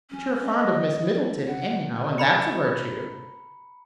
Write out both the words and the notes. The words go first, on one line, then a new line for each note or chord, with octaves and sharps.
"But you're fond of Miss Middleton anyhow, and that's a virtue."
C#4
D#5
E4
F#5
A#5 B5 C#7